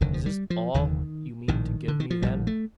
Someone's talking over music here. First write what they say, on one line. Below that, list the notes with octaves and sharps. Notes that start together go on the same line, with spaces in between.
'Is this all you mean to give me, then?'
F1 D#2 D3 D#3
F3
G3
F3
F1 D#2 D3 D#3
A#1 A2 D#3
D3
D#3
F3
A#1 A2 G3
A3